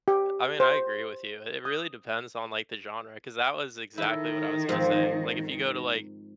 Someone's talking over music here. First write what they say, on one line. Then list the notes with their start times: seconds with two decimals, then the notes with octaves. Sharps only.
uh, I mean, I agree with you. It really depends on, like, the genre 'cause that was exactly what I was gonna say, like, if you go to, like,
0.08 G4
0.60 C5
1.65 D#6
3.98 D#3 E4 A4
4.69 G#2 F3 C4